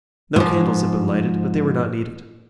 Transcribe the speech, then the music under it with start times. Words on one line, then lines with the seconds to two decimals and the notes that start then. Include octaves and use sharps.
No candles had been lighted, but they were not needed.
0.36 G#2 F3